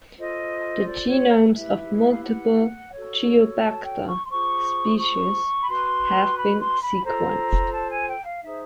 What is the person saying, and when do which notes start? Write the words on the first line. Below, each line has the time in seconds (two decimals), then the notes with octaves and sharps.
The genomes of multiple "Geobacter" species have been sequenced.
0.17 F4 A4 C5 D#5
0.86 D5
1.09 C#5
1.54 E4 G4 B4 E5
1.96 E5
2.10 F5
2.23 F#5
2.92 F#4 A4 C#5
3.60 A5
3.83 G5
4.07 C#6
4.24 C6
4.29 F4 G#4 C5 C#6
4.98 C#6
5.60 B5
5.66 F#4 B4 C6
6.35 B5
6.59 C6
6.81 B5
7.04 F4 A4 C5 A#5
7.73 A5
7.90 G#5
8.07 G5
8.24 F5
8.41 D#4 G#4 C5 E5